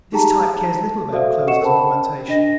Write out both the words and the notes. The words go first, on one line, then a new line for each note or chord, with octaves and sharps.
This type cares little about clothes as ornamentation.
D#4 G4 G#4 G5 A5 A#5
A5
F#4 A4 C5 D5 E5 F5
A4 D#5 F#5 C#6 C#7 E7
A#4 C5 G5 A5 B5
D4 D#5 A#6